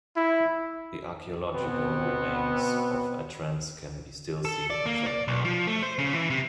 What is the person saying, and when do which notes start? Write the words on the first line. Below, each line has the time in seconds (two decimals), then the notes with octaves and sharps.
The archaeological remains of Atrans can be still seen in Trojane.
0.16 E4
1.53 B2 B3 C4
4.45 A4
4.70 D5
4.86 A#3
5.06 D5
5.28 B1
5.45 F3
5.67 A3
5.82 C5
5.98 C#3
6.14 E3
6.30 C3